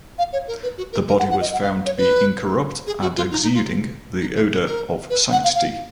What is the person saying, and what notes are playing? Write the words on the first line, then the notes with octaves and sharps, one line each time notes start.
The body was found to be incorrupt and exuding the odour of sanctity.
F5
C#5
A#4
B4
F#4
A#4
A#4
F#5
F#5
D#5
F#5
F5
C#5
B4
G#4
F#4
F4
D#4
D#4
F4
D#4
F4
G#4
A#4
B4
F#5
F5
F5